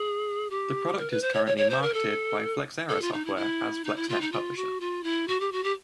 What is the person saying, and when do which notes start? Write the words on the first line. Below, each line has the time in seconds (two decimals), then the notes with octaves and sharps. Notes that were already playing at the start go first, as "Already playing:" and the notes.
The product is currently marketed by Flexera Software as FlexNet Publisher.
Already playing: G#4
0.50 G4
0.99 A#4
1.10 B4
1.22 C5
1.34 C#5
1.46 C#5
1.57 C#5
1.70 C5
1.82 A#4
1.94 A4
2.89 A4
3.02 F4
3.13 D#4
3.25 E4
3.37 E4
3.84 D#4
3.96 E4
4.09 F4
4.21 D#4
4.32 F4
4.57 F#4
4.80 F4
5.04 E4
5.28 F#4
5.40 G4
5.52 F#4
5.64 G4